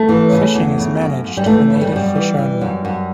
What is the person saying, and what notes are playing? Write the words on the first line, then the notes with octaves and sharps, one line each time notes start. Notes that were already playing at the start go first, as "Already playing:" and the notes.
Fishing is managed for native fish only.
Already playing: A3
E3
C#3
E2
C#3
F#2
F#2
G3
E3 A3
C#3
G3
F#2 G3
E3
E3
F#2
F#2